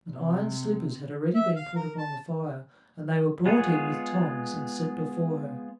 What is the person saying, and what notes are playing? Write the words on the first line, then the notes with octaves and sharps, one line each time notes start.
But iron slippers had already been put upon the fire, and they were brought in with tongs, and set before her.
C3
E5
F5
A#4
A5
G#3 B3 F4 G#4 C#5